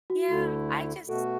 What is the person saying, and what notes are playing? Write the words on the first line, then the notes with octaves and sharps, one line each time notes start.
Yeah, I just
F#4
D2 D3 A3 E4
B2 A3 F#4 A4